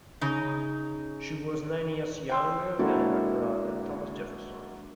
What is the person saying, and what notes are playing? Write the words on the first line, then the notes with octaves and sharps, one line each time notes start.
She was nine years younger than her brother Thomas Jefferson.
C#3 D#4
G5 C6 E6
G#3 A#3 D4 E4 F#4 A4